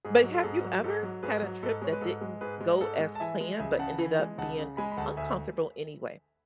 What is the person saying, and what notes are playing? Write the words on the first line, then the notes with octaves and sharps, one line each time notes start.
But have you ever had a trip that didn't go as planned but ended up being uncomfortable anyway?
G#2 G#4
F#3
A4
G#2 G#4
F#3
G#2 A4
F#3
G#2 G#4 B4
F#3
G#2 A4
G#3 C#5
B4
G#2 A4
G#3
G#2 G#4 B4
G#3
G#2 A4
G#3
A5
E3 E5 G#5
G#3
C#2 E5 G#5
C#3 F#5 A5
E3
G#3
C#2 F#5 A5
C#3
G#3 G#5 B5
B5
D2 F#5 A5
D2 E5 G#5